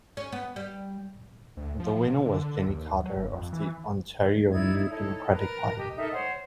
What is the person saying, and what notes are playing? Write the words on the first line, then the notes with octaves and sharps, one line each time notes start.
The winner was Jenny Carter of the Ontario New Democratic Party.
C#4
B3
G3
D2
F3
F3
C3
D3
D3
D#2
F#3
G1
F2
E3
D#4 E4 D5 G#6
D#4 E4 A4 C#5
A#4 B4 A5 A#5
G4 D#5
D#4 A4 A#4 E5
C5 C#5 F#5